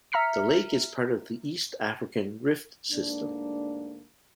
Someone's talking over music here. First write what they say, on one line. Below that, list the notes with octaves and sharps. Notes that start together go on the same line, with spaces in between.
The lake is part of the East African Rift system.
E5 A#5 F6 B6 C#7
D2 G#2 A#3 D4